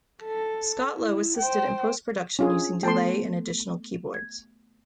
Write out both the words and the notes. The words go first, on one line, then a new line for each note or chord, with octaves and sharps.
Scott Lowe assisted in post production using delay and additional keyboards.
A4
E4
C5 G5
C#4 D4 F4 G#4
A3 B3 A4 G5 A5 C6
G#6